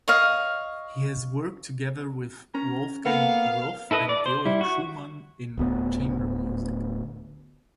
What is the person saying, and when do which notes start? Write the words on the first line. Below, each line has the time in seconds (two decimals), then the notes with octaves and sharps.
He has worked together with Wolfgang Ruoff and Georg Schumann in chamber music.
0.08 C#5 D#5 F5
2.55 C#4 A#5
3.06 A#3 B3 A4 A#4 F5 A5
3.91 E4 A4 B4 D#5
4.09 D5
4.26 C5
4.46 G3 E4
4.61 F#4 C#6
5.58 D1 D2 B3